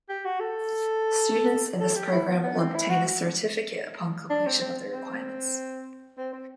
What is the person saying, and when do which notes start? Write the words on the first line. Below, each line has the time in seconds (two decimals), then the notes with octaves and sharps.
Students in this program will obtain a certificate upon completion of the requirements.
0.09 G4
0.25 F#4
0.40 A4
1.80 A4
1.96 G4
2.12 E4
2.27 B3
2.43 B3
2.59 C4
2.74 E4
2.90 F#4
4.30 D4
4.46 C4
4.61 C4
4.92 C4
6.18 C4
6.33 C4